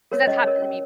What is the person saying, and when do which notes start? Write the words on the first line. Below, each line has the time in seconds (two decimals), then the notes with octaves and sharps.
'cause that's happened to me
0.12 A#4 C#5
0.27 C#4 D#5
0.44 A#4 C#5
0.62 C#4